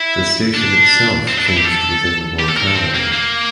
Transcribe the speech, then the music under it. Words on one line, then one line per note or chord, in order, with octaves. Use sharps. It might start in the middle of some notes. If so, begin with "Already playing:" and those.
The station itself changed within the locality.
Already playing: E4
D4
C4
D4
E4
G4
A4
G4
A4
A#4
A4
C4
A#3
A#3